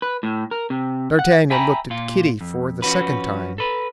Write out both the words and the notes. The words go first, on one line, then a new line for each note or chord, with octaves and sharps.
D'Artagnan looked at Kitty for the second time.
B4
A2
A#4
C3
F#5
E5 G5 G#5 A#5 B5
A#2 F4
F2
F3 C#4 F#4 B4
A4 B4